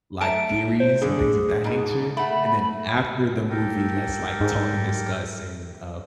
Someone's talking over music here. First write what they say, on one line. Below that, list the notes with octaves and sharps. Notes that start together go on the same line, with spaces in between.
like, theories, and things of that nature, and then after the movie, let's, like, talk and discuss and, uh,
A3 A5 A#5 D7
C5
D3 G#4
G#2 B2
A3 F#5 B5
G4 A4 A#4
G#2